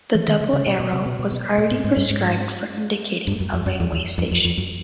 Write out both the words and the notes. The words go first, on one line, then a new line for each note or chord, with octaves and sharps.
The double arrow was already prescribed for indicating a "railway station".
E3
D#3
D3
C#3
B2
B2
C3
B2
B2
B2
A#2
A2
G#2
G2
G#2
G2
F#2
F2
F#2
F2
E2
F2
F2
F2
F#2